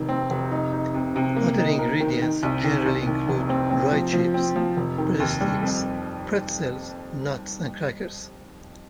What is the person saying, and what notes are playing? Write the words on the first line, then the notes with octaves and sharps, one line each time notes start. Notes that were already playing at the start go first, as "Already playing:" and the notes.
Other ingredients generally include rye chips, breadsticks, pretzels, nuts and crackers.
Already playing: F1 D#3
C4
F1
D#4
D#4
C3
C3
A#3
D#4
A#4
D#3
D#3
C2
D#3
C2
D#3
F1
C4
C4
F3
F3
C4
F3
F1
D#3
D#2
G3
F2